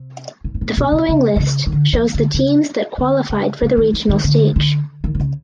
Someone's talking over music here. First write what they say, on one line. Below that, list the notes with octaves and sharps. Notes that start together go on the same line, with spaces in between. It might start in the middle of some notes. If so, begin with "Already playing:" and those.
The following list shows the teams that qualified for the Regional Stage.
Already playing: C3
B2
A2
A#2
B2
C3
C#3
C3
C#3
C#3
D3
E3
D3
C#3
D3
C#3
C#3
D#3
E3
D#3
D3
D3
D#3
C3
C#3